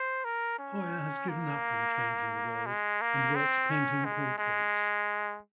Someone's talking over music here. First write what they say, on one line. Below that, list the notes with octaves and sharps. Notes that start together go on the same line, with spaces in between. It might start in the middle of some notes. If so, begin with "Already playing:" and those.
Hoyer has given up on changing the world, and works painting portraits.
Already playing: C5
A#4
C#4
A#3
G#3
A#3
C4
C#4
G#3
G#3